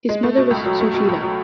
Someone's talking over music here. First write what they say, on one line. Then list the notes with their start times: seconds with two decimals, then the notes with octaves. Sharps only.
His mother was Sushila.
0.09 G#3
0.23 A3
0.37 B2
0.51 C#2
0.65 F#3
0.80 A3
0.94 B2
1.09 C#2
1.22 F#3